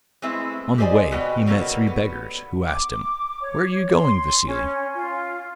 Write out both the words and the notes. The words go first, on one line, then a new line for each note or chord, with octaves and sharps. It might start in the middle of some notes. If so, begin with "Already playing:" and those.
On the way he met three beggars, who asked him: 'Where are you going, Vassili?'
G#3 A3 C4 E4 B4 E5
G4 G#4 C5 D5 D#5 G#5
B2 B3 D#5 G5
C#3 F#3 G3 A#3 B3 A4
B3
D6
C#5
C6
C#4
F4